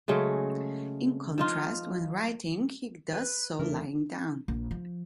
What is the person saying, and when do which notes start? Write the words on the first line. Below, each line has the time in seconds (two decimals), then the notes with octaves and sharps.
In contrast, when writing, he does so lying down.
0.08 C#3 F#3 G#3 A3
1.38 F3 D#4 F4
3.13 B4
3.59 E2 C#3 A3 D4 E4 A#4
4.48 A#1
4.71 F3